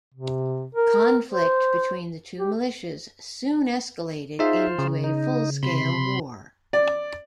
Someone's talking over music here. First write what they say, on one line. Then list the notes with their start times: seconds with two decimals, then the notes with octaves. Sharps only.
Conflict between the two militias soon escalated into a full-scale war.
0.14 C3
0.75 A#4
1.30 C5
2.39 G4
4.39 D#4 F4 G#4 C5 E5
4.79 C#3
5.04 D#4
5.63 C3 B5 C6
6.73 D5